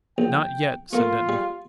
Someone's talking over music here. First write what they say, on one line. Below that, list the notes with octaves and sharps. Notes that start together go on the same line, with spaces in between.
"Not yet," said Denton.
A#1 G5
A3 A#3 F4
G3